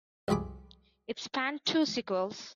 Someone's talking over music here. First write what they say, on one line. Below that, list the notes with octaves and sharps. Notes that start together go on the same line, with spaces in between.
It spanned two sequels.
C2 F2 G#4 B5 D6